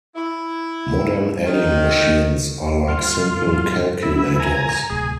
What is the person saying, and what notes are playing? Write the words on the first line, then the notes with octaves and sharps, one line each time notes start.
Modern adding machines are like simple calculators.
E4
D#3
G2 F4
G#2 F#3
E4
G#5 A#5
D1 C2 G#4